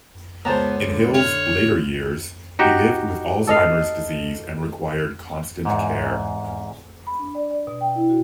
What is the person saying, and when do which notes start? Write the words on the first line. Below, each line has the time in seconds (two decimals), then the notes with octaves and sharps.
In Hill's later years, he lived with Alzheimer's disease and required constant care.
0.45 C#2 B3 C5 A5 A#5
0.88 D3
1.14 C#5 F5
2.59 D#4 F#4 G4
3.47 A4 D#5 F5
5.65 E2 G#2
7.07 B5
7.19 D4
7.35 D5
7.50 D5
7.67 B2
7.81 G5
7.95 E4
8.09 F#4